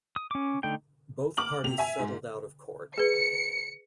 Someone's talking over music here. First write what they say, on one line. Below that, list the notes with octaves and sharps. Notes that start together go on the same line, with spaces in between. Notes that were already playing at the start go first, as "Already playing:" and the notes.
Both parties settled out of court.
D#6
C#4 D6
D3 A3 D#4 G5
D6 F6 F#7
C3 F7
E5 G#5
G#2
G#4 B4 C#7